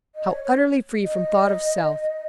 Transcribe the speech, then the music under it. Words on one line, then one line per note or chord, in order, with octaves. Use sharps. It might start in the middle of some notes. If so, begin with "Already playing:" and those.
How utterly free from thought of self!
D#5
C#5
C#5
D#5